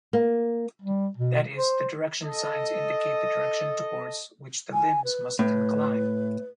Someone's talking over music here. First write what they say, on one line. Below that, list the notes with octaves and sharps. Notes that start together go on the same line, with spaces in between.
That is, "the direction signs indicate the direction towards which the limbs must incline".
A#3
G3
B2
C5
A4 D#5
G#5
B4
A2 B4